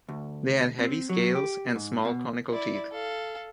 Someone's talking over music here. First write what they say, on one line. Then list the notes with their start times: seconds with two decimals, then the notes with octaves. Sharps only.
They had heavy scales, and small conical teeth.
0.09 D2
0.79 C4
1.09 F#3
1.35 G4
1.76 G#2
2.05 B2
2.51 E4 D5
2.92 A4 F5